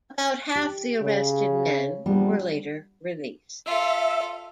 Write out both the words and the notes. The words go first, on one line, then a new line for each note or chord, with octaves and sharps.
About half the arrested men were later released.
G4
C#3
A#1 G3 B3 D4
F4 A4 E5